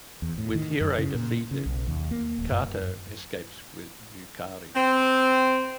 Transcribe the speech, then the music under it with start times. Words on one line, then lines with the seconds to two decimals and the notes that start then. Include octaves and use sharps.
With Hirai defeated, Kato escapes with Yukari.
0.22 E2
0.38 A2
0.55 D#3
0.81 F#2
0.98 C#3
1.14 A#2
1.51 C#3
1.66 B1
1.87 D#2
2.11 A#3
2.39 D1
2.52 F#2
4.76 C4